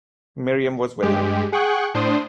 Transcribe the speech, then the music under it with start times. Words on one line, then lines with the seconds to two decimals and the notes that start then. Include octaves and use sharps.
Miriam was with him.
1.02 G2 G#3 G4
1.52 G#4 F#5 G5 C#6 F#6
1.94 A2 D4 C5 C6 D#6